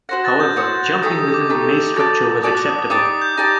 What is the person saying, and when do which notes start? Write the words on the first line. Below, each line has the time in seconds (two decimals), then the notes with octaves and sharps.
However, jumping within the maze structure was acceptable.
0.09 F#4 C5 F#5 A#6
0.25 A6
0.40 G6
0.56 F#4 C5 F#5
1.03 A3 D#4 G4 D#6
1.19 D#6
1.34 D6
1.49 A3 D#4 G4 D#6
1.96 F#4 A4 D5 A5
2.43 F#4 A4 D5 A5 D#6
2.55 F#6
2.67 D#6
2.79 D#6
2.90 D#4 G4 D5 A5 D6
3.05 D#6
3.22 G6
3.38 D#4 G4 D5 A5 A#6